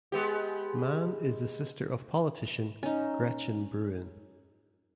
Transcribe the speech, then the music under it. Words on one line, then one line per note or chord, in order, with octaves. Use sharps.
Mann is the sister of politician Gretchen Brewin.
G#3 B3 G4
C#4 D#4